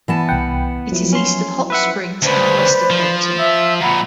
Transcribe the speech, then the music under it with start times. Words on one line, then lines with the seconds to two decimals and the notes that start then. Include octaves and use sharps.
It is east of Hot Springs and west of Benton.
0.08 E3 B3 A5
0.29 C2 F#5 G5
0.92 F3 F#3 E4
1.12 C#4 C6
1.70 B4 E5 F#5
2.22 D2 C#3 B4 C5 D5
2.90 F3
3.37 E5 E6
3.81 F2 A#2 F#5 A#5 B5